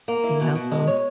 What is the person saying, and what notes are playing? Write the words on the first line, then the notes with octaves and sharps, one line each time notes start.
be helpful.
A#3
E4
B2
B2
G#3
C#5